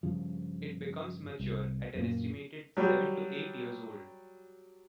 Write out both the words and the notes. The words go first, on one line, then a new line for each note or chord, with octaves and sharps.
It becomes mature at an estimated seven to eight years old.
G2 C#3 F3
C2
F#2 A#2
F#3 G3